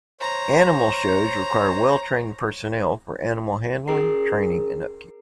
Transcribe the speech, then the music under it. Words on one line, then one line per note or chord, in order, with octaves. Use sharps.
Animal shows require well-trained personnel for animal handling, training, and upkeep.
C5 C#5 A#5
C#4 G#4 A#4 A#5 C7